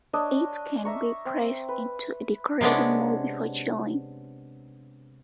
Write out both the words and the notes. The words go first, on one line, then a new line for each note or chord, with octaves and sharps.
It can be pressed into a decorative mold before chilling.
D4 C#5 D#5 E6
E5 A#5 C#6
C4
B4
C3 G#3 B3 C#4 D4